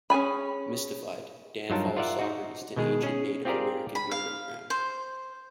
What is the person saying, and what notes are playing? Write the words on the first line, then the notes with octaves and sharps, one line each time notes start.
Mystified, Dan follows Socrates to an ancient Native American burial ground.
C#4 G#4 G#5 B5
G2 F#3 D#4 F4 A#4 A5
F4 A#4 D5 E5 F#5
D#4 F#4
B2 D#3 G#3 G#4
C#4 G#4
C4 F4 G4 G#4 A#4 D5
B5
F5
C5